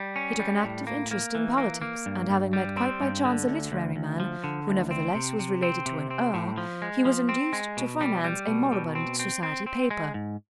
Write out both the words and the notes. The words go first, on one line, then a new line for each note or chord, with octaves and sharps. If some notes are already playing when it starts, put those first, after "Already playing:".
He took an active interest in politics; and having met quite by chance a literary man--who nevertheless was related to an earl--he was induced to finance a moribund society paper.
Already playing: G3
C#4
G3
A2
A#3
A#3
E3
A#3
A#3
G2
G2
G3
C4
G2
D3
D2
D2
D2
F3
D3
D2
C4
C3
C3
C4
C3
C4
A2
F3
G#3
F3
C4
G#3
B2
G3
G3
B2
B2
C4
C4
C4
C4
G#3
G#2